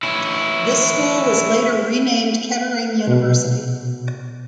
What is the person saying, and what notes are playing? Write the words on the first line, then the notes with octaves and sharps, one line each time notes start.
This school was later renamed Kettering University.
C#4 E4
B2